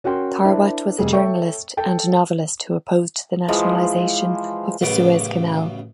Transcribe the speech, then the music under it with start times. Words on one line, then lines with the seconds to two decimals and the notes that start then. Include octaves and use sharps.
Tharwat was a journalist and novelist who opposed the nationalization of the Suez Canal.
0.04 C#4 F#4 A#4 G5 C6
0.45 D4 E4 A#4 C5 D5 E5
0.99 F1 G3 G#4
1.13 A4 C#5 E5 G5 C#6
1.77 A4 G5 A5
3.48 E3 F3 G#3
4.81 A1 F#2 C#3 B3 D6